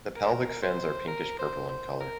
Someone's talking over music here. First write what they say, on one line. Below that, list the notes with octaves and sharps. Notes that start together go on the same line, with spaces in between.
The pelvic fins are pinkish purple in colour.
A#4
C5
A#4
C5
C5
A#4